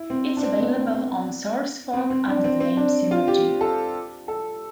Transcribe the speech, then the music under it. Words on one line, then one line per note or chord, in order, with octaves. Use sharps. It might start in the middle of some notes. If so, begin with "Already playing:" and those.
It is available on SourceForge under the name "Simergy".
Already playing: E4
C4
D4
C4
B3
C4
C4
C4
C4
D4
C4
C4
D4
F4
G4
A4
A4